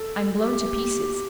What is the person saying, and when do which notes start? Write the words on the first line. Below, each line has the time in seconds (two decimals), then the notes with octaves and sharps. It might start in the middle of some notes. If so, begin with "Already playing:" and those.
'I'm blown to pieces.
Already playing: A4
0.37 G4